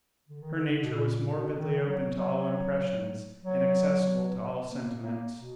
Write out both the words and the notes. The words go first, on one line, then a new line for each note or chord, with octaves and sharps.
Her nature was morbidly open to all impressions and accessible to all sentiments.
D3
D#3
D3
D3
B2
A#2
A#2
B2
D#3
F#3
F#3
F#3
A#3
A#3
B2